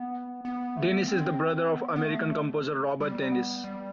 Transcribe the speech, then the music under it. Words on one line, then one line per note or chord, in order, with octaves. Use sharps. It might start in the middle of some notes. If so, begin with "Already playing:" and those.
Dennis is the brother of American composer Robert Dennis.
Already playing: B3
B3
A3
B3
C4
B3
B3
A3
G3
B3
G3